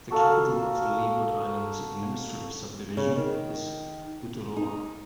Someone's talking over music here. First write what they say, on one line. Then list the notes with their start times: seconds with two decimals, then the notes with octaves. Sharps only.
The capital of the Leeward Islands administrative subdivision is Uturoa.
0.10 F#4 A4 A#4 F5
2.97 C#3
3.16 D#3
4.57 D#4